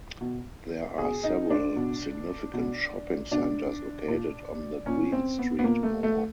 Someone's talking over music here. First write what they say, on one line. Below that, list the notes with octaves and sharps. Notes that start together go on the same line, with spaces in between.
There are several significant shopping centres located on the Queen Street Mall.
B2
B2 G#4
D#4
D4
B2
B2
B2 D4
A#2
A#2 C#4
C4
B3
B3
A#2 A#3
A3
A3